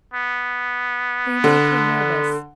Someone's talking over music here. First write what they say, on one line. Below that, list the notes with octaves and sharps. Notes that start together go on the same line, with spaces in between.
They make her nervous.
B3
D3